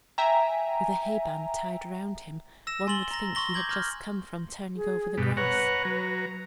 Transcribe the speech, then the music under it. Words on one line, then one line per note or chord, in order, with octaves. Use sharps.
With a hay band tied round him, one would think he had just come from turning over the grass.
E5 G5 G#5 A#5
E6 A#6 E7
G#5 C6 A6 F#7 G7
A#5 A#6
C6 C#6 A#6 F#7 G7
D6 G6 G#6 F#7
C6 F6 G6 A#6
G#4
G2 B2
B4 C#5 F#5 A#5
F#3 A#5